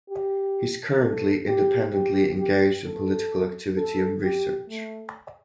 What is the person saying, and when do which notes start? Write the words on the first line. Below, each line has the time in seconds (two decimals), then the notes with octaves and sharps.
He is currently independently engaged in political activity and research.
0.10 G4
1.02 A4
1.48 G4
1.93 G4
2.39 G4
2.85 A4
3.77 A4
4.23 G4
4.69 A3